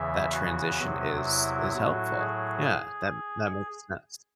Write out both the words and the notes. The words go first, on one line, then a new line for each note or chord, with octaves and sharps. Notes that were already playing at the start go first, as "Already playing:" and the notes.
that transition is is helpful. Yeah. That that makes sense.
Already playing: E2 C#3 E3 E5
F#4
E2 C3 F#3
E4
A2 F#3 F#4
G#4